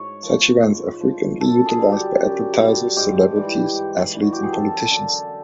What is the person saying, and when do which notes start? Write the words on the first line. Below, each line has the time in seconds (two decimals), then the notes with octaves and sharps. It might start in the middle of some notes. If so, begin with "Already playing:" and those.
Such events are frequently utilized by advertisers, celebrities, athletes, and politicians.
Already playing: G#2 C#5
0.23 F3
0.61 G#2
1.00 F3
1.40 F#2 A4
1.66 G#4
1.79 D3 G3
1.92 G4
2.18 F#2
2.57 D3 G3
2.97 G#2 G4
3.36 E3 G3
3.75 G#2
4.14 E3 G3
4.22 F#4
4.33 G4
4.43 G#4
4.52 F#2 A4
4.91 D3 F#3